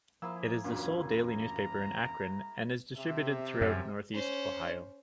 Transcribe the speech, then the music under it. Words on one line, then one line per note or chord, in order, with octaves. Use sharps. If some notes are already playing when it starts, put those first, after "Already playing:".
It is the sole daily newspaper in Akron and is distributed throughout Northeast Ohio.
F3 A#3 E4 G#4 C5 E6
E2 G2 A#2 F#3 A#3 C#4
A#5
C3 E5
F#2
C#4 C5